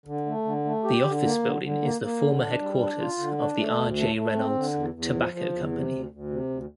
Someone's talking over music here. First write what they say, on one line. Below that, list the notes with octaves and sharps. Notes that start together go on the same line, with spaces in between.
The office building is the former headquarters of the R. J. Reynolds Tobacco Company.
D3
A3
D3
A3
G4
D3
A#3
D3
D3
A#3
A#3
D3
D4
G3
D4
F4
D3
D4
A3
D2
A3
A3
C4
D3
E2
E2
F3
F3
E2
C3
D2
D2
C3
D2